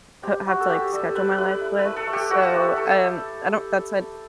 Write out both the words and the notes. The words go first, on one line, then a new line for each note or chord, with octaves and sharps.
coo have to like schedule my life with, so, um, I don't that said
C4 G4
E4 F#4
A4
G3 G4
G3 A4
C4 B4
E4 B4
E4
B4
A3
A4
A3
G4
E4 F#4
E4 G4
A3 A4